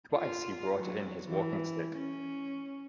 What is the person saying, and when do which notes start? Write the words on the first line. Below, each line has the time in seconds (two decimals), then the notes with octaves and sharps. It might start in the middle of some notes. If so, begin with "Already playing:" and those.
Twice he brought in his walking-stick.
0.13 F4
0.79 F#3
1.24 E3
1.97 C#4